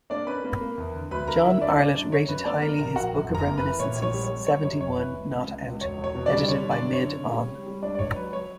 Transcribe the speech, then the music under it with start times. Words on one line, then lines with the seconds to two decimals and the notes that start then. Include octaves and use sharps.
John Arlott rated highly his book of reminiscences "Seventy-one Not out", edited by "Mid-On".
0.10 A#3 D4 D5
0.27 C#4 B4 B5
0.44 A#3
0.61 A#3
0.78 E2
0.94 D3
1.11 D2 B4 B5
1.28 D3 A#4 A#5
1.44 D3 E4 E5
1.61 D2 D4 D5
1.78 C#3 D4 D5
1.95 F#2 D4 D5
2.12 C#3 C#5
2.29 F#2 B4
2.45 A#3 D4 D5
2.62 A#3 A#4 A#5
2.79 A#1 A#4 A#5
2.96 A#1 F#4 F#5
3.13 F#2
3.29 F#1
3.35 A#4 A#5
3.46 A#3
3.58 B4
3.63 E3
3.80 A#2 C#5
3.96 A#1
4.02 C#5
4.14 G3
4.24 C#5
4.30 G3
4.47 B3 C#5
4.63 F#2 C#5
4.81 F#1 C#5
4.97 E3 B4
5.14 C#2
5.31 C#3
5.48 C#2
5.65 C#2
5.81 E1 C#5
5.98 E1
6.04 C#5
6.15 B2
6.26 D4 D5
6.31 G3
6.48 D3 C#5
6.65 D3
6.71 D4 D5
6.81 F#2
6.93 C#5
6.98 D3
7.15 C#3
7.32 G3
7.49 G3
7.67 G3
7.82 C#2 D4 D5
7.95 D5
7.99 C#2 C#5
8.16 F#3 B4
8.33 F#3 C#5